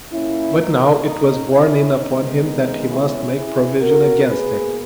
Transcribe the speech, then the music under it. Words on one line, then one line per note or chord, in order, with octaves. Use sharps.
But now it was borne in upon him that he must make provision against it.
A#2 A#3 C#4 E4
D#4
D#4
C#4 E4
D#3 G#3 B3 D#4
C#4 E4
E4 G#4
B2 A#3 F#4 A#4
G#4 B4